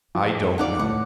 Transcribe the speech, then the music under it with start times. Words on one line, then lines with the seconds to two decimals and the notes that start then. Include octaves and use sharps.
"I don't know."
0.15 F3
0.58 D#4 D5 F5 F#5
0.79 A2 F#5 D6